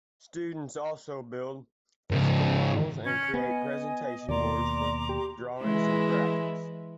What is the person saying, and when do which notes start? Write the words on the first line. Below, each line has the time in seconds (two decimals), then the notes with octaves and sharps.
Students also build physical models and create presentation boards for drawings and graphics.
2.11 G#2 C#3
3.04 C#4 F6 G#6
3.34 B3 D#5 G#5
4.29 D#2 B2 A#3 D5 A#5 C6 D6
5.09 G4
5.60 E3 G#3 E4